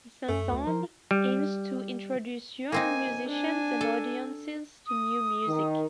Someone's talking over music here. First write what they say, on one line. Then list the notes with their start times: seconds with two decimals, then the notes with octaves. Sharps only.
This ensemble aims to introduce young musicians and audiences to new music.
0.29 F#2 A3 C#4
0.45 D2
0.67 F3 A#4 C5
1.11 G3
2.72 A#3 C4 D#4 G#5
3.28 D4 G#5
3.81 A4
4.87 D#6
5.48 D#3